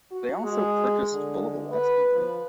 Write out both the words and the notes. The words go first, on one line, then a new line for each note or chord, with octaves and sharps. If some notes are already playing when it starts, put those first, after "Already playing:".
They also purchased the Bulova Watch Company.
F#4
G#3
D3
B4
F3